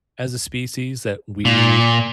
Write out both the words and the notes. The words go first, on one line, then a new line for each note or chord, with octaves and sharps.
as a species that we
A#2